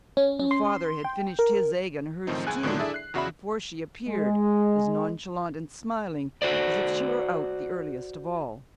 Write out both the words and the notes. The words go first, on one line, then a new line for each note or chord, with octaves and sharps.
Her father had finished his egg and hers too, before she appeared, as nonchalant and smiling as if she were out the earliest of all.
C#4
C#4
C6
G5
A#4
F#2 A2 D#3 F3 C4 D#4
C#2 G#4 G#5 F#6
A2 D3 D#3 F#3 G#3 D4
D4 E4 G#4 A4 D5 E5
F#6 C7
E2 C#3 F#4 D5 E5 B5
G#3
F#4 C5 D5